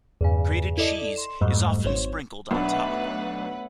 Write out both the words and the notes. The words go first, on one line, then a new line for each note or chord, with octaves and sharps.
Grated cheese is often sprinkled on top.
E2 G2 C#3
E4 A4 D5 D#5
C6 E7
F2 G#2 F#3 G3 A3
G#1 C5 C#5
B1 A3 B3 D4 B4 C#5 E5 F#5